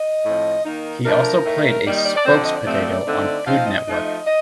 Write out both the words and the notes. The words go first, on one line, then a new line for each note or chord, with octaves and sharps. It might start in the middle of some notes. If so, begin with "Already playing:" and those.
He also played a spokes-potato on Food Network.
Already playing: D#5
A2 F3 C4
D#3 A#3 D#4
F3 A3 D4 A#4
A2 A3 D#4
D#3 G3 A#3 D#4 D5
D#5
D5
D5
D3 F3 C4 C5
D5
D#5
D5
C3 F3 A3 C4
D3 A3 C4 D#4
F3 C4 D#4 F5
D#5
F3 A3 D#4
D#5